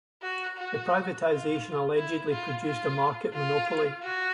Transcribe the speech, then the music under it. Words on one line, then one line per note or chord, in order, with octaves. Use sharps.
The privatisation allegedly produced a market monopoly.
F#4
F#4
F4
E4
F4
F4
F4
F#4